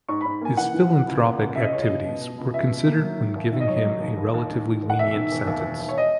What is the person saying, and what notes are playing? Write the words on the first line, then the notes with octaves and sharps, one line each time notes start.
His philanthropic activities were considered when giving him a relatively lenient sentence.
G#2 C#6
G#2 B5
A#3 G#5
E3 F#5
E3
E3
C#2
A#3
C#2
C#2 E5
D#5
C#2 C#5
D#5
C#2
B2
B2
C#2
C#2 E5
B2
A#3
F#3
D#3
D#2
D#3 E5
D#5
F#3 C#5
D#5
F#3
D#2
D#2
D#2
D#3
D#3
D#2
F#5
E1 E5
D#3
E1
D#2
E1
D#2
C#5
D#5